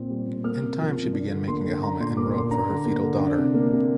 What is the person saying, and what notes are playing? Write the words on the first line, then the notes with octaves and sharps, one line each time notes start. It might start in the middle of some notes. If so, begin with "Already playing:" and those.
In time she began making a helmet and robe for her fetal daughter.
Already playing: A#2 C4
G3
A#2
A#3 F6
C3
F3
C3
D4
D3
A#3 C6
D3
D4 A#5
A#2 C6
A#3 D6
A#2 C6
D4 A#5
D3
A#3
D3
D4
C3
A#3
C3